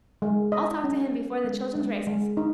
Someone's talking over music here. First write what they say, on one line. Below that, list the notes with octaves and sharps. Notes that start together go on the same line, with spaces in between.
I'll talk to him before the children's races.
G#3
D#5
C#4
C#4
G#3
G#3
G#3
D#4